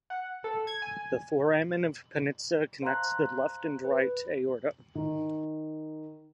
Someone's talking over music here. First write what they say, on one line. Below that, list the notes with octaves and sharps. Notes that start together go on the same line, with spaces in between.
The foramen of Panizza connects the left and right aorta.
F#5
A4
G#6
G#5
C5 F5 A5 A#5 C6 F#6
B4
D#3